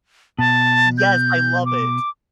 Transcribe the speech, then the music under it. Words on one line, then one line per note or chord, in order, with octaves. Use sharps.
Yes, I love it.
B2 A5
G6
D6